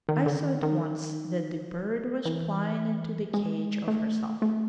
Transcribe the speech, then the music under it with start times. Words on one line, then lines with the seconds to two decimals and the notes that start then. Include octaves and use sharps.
I saw at once that the bird was flying into the cage of herself.
0.09 D#3
0.26 D3
0.45 D#3
0.63 D#3
2.25 E3
3.34 G#3
3.88 A3
4.42 A3